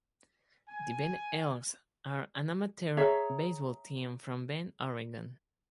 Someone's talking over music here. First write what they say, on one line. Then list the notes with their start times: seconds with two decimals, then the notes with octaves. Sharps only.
The Bend Elks are an amateur baseball team from Bend, Oregon.
0.69 G#5
2.97 G#4 C#5 E5 A#5